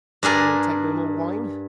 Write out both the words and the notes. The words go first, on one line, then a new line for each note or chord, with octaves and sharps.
"You will take no more wine?"
G2 D4 G#4 A#4